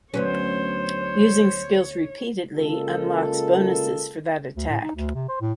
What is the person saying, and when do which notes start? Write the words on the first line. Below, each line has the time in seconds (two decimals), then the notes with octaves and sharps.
Using skills repeatedly unlocks bonuses for that attack.
0.14 D2 F#3 B3 C#4 C5 C#5
2.57 C#3 G#3 A#3 F4 A4
4.56 D2
4.69 A2
4.83 D#4
4.95 D2
5.15 C3
5.29 C5
5.41 A2